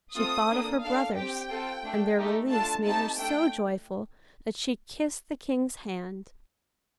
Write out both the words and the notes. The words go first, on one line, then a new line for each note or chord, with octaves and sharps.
She thought of her brothers, and their release made her so joyful that she kissed the King's hand.
A3 C4 F4 A4 D#6
A#3 D4 A4
D4 A4 F5
C4 G4 G5
C4 F4 A4
A3 D4 A4
A3 D#4 G4
A3 D4 F4 A4 A5
A3 C4 D#4 G4 A5
A3 D4 A4 G5